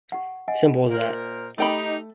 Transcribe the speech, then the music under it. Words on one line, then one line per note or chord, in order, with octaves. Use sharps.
Simple as that.
G4 F#5
D#5 F#5 G#5
A#2 A#4 C5
A3 D#4 G4 G5 B5